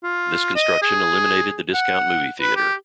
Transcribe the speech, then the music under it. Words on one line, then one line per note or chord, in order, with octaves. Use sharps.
This construction eliminated the discount movie theater.
F4
D#5
G#4
F#5
B4
G4